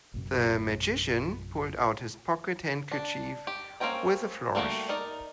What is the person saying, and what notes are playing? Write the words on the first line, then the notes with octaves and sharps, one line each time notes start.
The magician pulled out his pocket handkerchief with a flourish.
A#1 F#2 C3
D4
G4
A#3 C4 C#4 G5 A#5
G3 A3 A#3 F#4 G4
D#4 A#4 D5